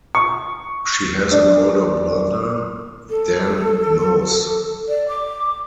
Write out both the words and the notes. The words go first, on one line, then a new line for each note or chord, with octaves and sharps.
She has an older brother, Dan Moos.
C#6
D4
A4
D5
D6